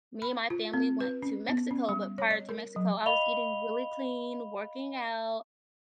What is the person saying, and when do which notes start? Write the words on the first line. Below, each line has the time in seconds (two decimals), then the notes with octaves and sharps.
Me and my family went to Mexico, but prior to Mexico, I was eating really clean, working out,
0.22 B5
0.50 F4
0.74 C4
1.00 B4
1.22 C#4
1.49 B3
1.71 C#4
1.89 G3
2.18 C#5
2.31 D#5
2.49 A#4
2.76 F#3
3.06 D#5 F5 B5 F7 G7